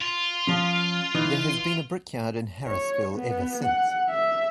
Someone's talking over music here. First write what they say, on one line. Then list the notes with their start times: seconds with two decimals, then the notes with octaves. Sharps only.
There has been a brickyard in Harrisville ever since.
0.01 F4
0.47 F3 C#4
1.15 E3 D#4 D#5
2.66 C#5
3.14 B3
3.64 F#5
4.11 E5